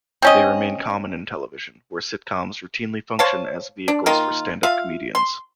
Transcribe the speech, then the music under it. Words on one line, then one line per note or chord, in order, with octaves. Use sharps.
They remain common in television, where sitcoms routinely function as vehicles for stand-up comedians.
C4 C#4 D#5
C5 C#5 F5 A5
D4
D#3 A#3 D#4 F4
F4 E5 F5
C6